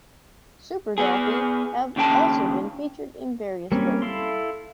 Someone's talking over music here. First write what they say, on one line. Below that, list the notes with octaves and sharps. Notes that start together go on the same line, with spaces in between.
Super Dollfie have also been featured in various work.
B3 G#4
D#2 C#3 G5 A5
G3 A#3 C4 C#4
E4 A4 F5 C6